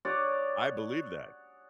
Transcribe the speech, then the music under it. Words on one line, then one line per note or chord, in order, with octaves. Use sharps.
I believe that.
G#4 C#5 D5 F#5